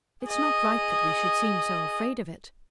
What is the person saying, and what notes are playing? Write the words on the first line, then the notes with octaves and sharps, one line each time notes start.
It's not right that we should seem so afraid of it.
G#4 D#5